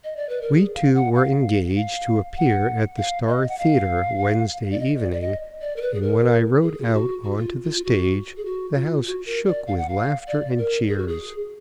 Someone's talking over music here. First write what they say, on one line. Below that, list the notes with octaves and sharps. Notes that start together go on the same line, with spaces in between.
We two were engaged to appear at the Star Theatre Wednesday evening, and when I rode out on to the stage the house shook with laughter and cheers.
D#5
D5
B4
A#4
G#4
F5
F#5
F5
F5
F#5
F5
D#5
F#5
F5
D5
D#5
D5
D5
D#5
D5
A#4
B4
G#4
A#4
G#4
F4
F#4
F#4
F4
F4
F4
F#4
G#4
F#4
F4
F#4
A#4
D5
F5
F#5
F5
D5
A#4
G#4
F#4
G#4